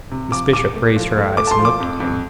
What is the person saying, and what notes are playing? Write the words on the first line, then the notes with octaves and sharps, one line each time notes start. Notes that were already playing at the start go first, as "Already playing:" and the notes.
Miss Bishop raised her eyes, and looked at him.
C3
F3 D6
C2 D6
A3
F3
A3
A3 D6
A5
C6
F3
D6
F2
F2